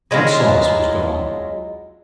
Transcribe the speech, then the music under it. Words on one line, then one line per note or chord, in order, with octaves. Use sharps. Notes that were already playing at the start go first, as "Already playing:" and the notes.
That solace was gone.
F#3 G#3 E4 F4